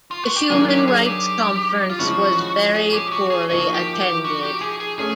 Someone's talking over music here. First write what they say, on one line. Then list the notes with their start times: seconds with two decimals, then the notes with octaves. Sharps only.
The Human Rights Conference was very poorly attended.
0.11 F4
0.23 F#4
0.36 G4
0.50 D#3 F#3 A#3 D4 G#4
0.68 G4
0.87 G#4
1.06 G4
1.90 F4
1.99 F3 G#3 C#4 E4 F#4
2.74 G#4
2.94 G4
3.12 F#4
3.30 G#4
3.49 F3 A#3 D#4 F#4
3.74 G4
4.00 G4
4.24 F#4
4.43 G4
4.61 G#4
4.80 G#4
4.99 A3 C#4 G#4